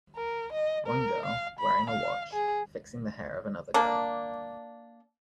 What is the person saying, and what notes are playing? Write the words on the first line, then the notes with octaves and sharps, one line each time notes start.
One girl, wearing a watch, fixing the hair of another girl.
A#4
D#5
A#4
F5
B5
F5
G#4
A#3 D4